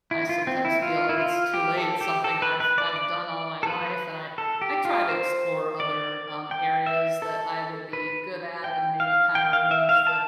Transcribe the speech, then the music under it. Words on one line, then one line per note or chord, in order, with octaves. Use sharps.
I sometimes feel like it's too late. It's something I've I've done all my life, and I I try to explore other, um, areas that I would be good at, and maybe kinda remove the
E4
F4
C4
E4
F4
E4
F4
G4
A4
G4
A4
B4
B4
D5
D5
A4
B4
A4
G4
F4
C5
D5
G5
E5
A4
B4
G5
F5
G5
F5
E5
F5
A5